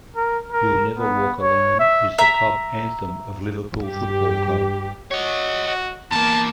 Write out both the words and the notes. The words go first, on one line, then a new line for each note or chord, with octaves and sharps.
"You'll Never Walk Alone" is the club anthem of Liverpool Football Club.
A#4
A#4
B3
C#5
E5
E5 A#5 E6
G2 G4
F#4 C#5 D#5
F#4
E2 A#3 A5